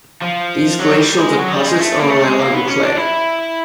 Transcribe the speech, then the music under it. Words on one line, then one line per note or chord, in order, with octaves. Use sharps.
These glacial deposits overlie London clay.
F3
F#3
G3
G#3
F#3
G3
G#3
A3
A#3
A3
G#3
A#3
B3
C#4
D4
E4